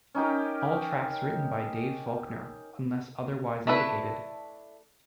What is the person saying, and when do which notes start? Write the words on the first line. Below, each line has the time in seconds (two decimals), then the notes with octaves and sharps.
All tracks written by Dave Faulkner unless otherwise indicated.
0.15 C#4 D#4 G4 A#4
3.67 A3 D4 E4 A4 B4